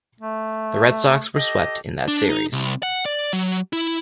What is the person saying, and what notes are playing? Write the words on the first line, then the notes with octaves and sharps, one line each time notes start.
The Red Sox were swept in that series.
A3
G4 A4 D#5
D4
D#4
C2
F#5
D5
F#3
E4